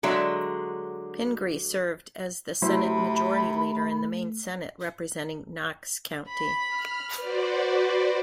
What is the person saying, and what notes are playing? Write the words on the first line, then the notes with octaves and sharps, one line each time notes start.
Pingree served as the Senate Majority Leader in the Maine Senate representing Knox County.
D3 F#3 G#3 E5
C3 F#3 A3 E4 C5 B5
B5
F6
F#4 B4 C5 D5